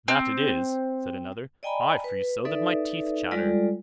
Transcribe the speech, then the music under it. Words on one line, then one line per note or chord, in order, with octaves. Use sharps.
'That it is', said another; 'I freeze so, that my teeth chatter.'
C4
D5 D#5 G5 G#5 A#5 B5
B4
D#4 A4 B4 D5 E5
G3 G#3 F4 A4 D5